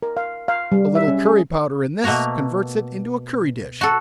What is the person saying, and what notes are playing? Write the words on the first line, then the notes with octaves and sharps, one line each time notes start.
A little curry powder in this, converts it into a curry dish.
A#4
F5
F5
G3
E5
C#4
G#4
B2 A3 A#3 F#4 A#5
F#4 A4